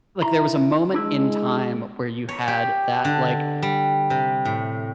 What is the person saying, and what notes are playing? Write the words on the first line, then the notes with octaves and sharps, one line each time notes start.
like there was a moment in time where you had that, like,
E4 A#5
G#3 D4 E4
C#5
G4
D3
G3
C3
A2